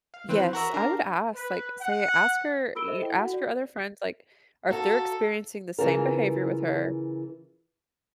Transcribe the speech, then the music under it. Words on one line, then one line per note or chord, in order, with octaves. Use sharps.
Yes, I would ask, like, say ask her y ask your other friends, like or if they're experiencing the same behavior with her,
F5
E3 C4 B4 C5
F#4 A#4 E5
D4 A#4 F5
B4
F#5
F4 A#4 B5 E6 D7 G7
A4 C5 D#5 E5
E4 A4 G5
F#4 F#5
D5
F#4 A4 F5 A#5
C#3 E3 F4 A#4